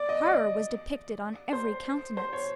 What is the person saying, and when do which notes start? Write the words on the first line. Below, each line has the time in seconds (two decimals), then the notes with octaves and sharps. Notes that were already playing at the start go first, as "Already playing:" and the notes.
Horror was depicted on every countenance.
Already playing: D5
0.09 D#5
0.25 D5
1.53 C5
2.17 C5
2.33 C#5